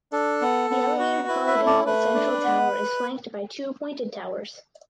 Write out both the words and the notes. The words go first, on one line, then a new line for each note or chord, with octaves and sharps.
The elevated polygonal central tower is flanked by two pointed towers.
D4 A4
B3
B3
F#4
E4 B4
B4 E5
A3
A4 D5
A3 B4
D4
B3